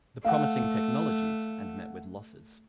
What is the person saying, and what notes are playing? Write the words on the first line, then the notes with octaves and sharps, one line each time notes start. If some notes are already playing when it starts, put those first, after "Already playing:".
The promising technologies and met with losses.
A3 F5 F#5